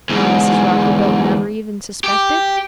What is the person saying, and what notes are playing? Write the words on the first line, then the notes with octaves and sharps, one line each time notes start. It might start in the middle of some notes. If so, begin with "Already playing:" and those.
"And Mrs. Rockerbilt never even suspected?"
E2 G#2
G4